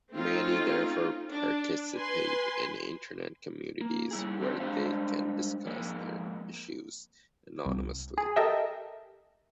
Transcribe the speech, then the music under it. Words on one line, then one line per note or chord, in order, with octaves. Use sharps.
Many, therefore, participate in Internet communities, where they can discuss their issues anonymously.
A3 C4 C#4 D#4 F4
D4
B4 G#5 C6
A#3
G3 E4 G#4
C4 D4 F4 G4 C5
G3 G#3 D4 C5 F5
F2 G#2 G#3 A#3
C2
G#4
G4 A4 A#4 D#5 E5 G5